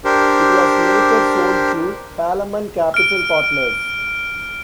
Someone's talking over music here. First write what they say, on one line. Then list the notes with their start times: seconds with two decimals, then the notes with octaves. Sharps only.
It was later sold to Palamon Capital Partners.
0.05 D4 G4 A#4 C5
2.94 F6 D7